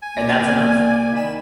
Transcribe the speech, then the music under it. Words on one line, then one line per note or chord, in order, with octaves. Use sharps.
And that's enough.
G#5
C2 A#3 D5
D#3 B5 E7